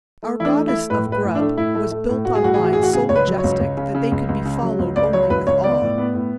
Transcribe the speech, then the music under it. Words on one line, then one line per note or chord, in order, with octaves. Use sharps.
Our Goddess of Grub was built on lines so majestic that they could be followed only with awe.
A3
E3 D4 E4
A3
E4
A3
A2 B4
A2
B4
A2
D4
A3
A2 E4
A3
A3
A2
A2 F#4
G#4
A2 F#4
G#4
E3
F#4
A2 G#4
F#4
C#3 G#4
C#2 C#5
B4
F#3
C#5
C#2
C#2
C#3
C#3
C#2
C#2
C#3
F#3
C#2
C#2 D5
F#3 C#5
C#2 B4
C#2 C#5
B3 D5
A2
B3
A2